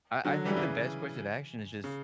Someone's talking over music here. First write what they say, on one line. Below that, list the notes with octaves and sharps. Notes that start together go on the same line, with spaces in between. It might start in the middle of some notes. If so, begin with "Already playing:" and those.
I I think the best course of action is just
D3 F#3
E3 G3
C#3 E3
C#3